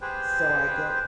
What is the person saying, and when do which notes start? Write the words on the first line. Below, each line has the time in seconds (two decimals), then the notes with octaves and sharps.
So, I go
0.01 G4 G#4 B4 C5 G5